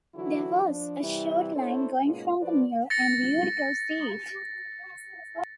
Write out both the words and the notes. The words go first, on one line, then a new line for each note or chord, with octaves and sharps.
There was a short line going from the mill and we'd go see it.
D3 E3 F#3 E4 F#4
F3 D4
C3 E3 G3 E4
D4 E4 A4 C5 C#5
G#2 B2 G#3 A#3 C#4 F4
F3 B4 C5 D5
A6 A#6 C#7